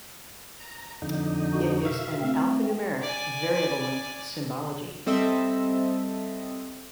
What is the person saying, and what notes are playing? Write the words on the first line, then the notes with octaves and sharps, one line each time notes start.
It is an alphanumeric, variable length symbology.
A#5
F2 D3 D#4
F#4
B2 E5 F5
A3 C4
D5 G#5
G3 C4 A4 D#5 E5